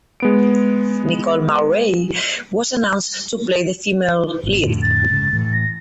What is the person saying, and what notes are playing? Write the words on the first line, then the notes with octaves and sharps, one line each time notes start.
Nicole Maurey was announced to play the female lead.
G#3 B3 D7
G#1 B2
F2 A2 D3
A6
F#1 G#2 C#3
A2 E3
A#6